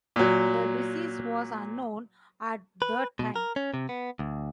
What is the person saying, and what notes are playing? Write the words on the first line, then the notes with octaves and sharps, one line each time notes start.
The disease was unknown at the time.
A#2 F#3
B4
B2
A#4
C#4
C3
B3
D2